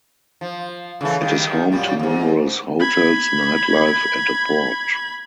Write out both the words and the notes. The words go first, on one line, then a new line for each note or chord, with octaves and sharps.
It is home to numerous hotels, nightlife and a port.
F3
C#3 E3 A3
D#3 G3
F#2 A#2 G3
F2 G#2
B5 G#6